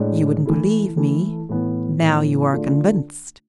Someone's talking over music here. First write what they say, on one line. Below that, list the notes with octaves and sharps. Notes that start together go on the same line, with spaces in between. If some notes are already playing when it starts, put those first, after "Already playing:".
You wouldn't believe me; now you are convinced.
Already playing: A2 G#3 D4
E3 A3 E4
E3 A3 E4
A2 E3 B3
A2 E3 B3
D3 A3 D4 F4